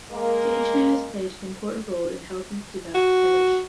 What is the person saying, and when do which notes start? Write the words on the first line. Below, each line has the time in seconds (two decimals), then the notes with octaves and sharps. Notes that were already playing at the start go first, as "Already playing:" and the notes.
The internet has played an important role in helping to develop the fetish.
0.10 G#3 A#3
2.95 F#4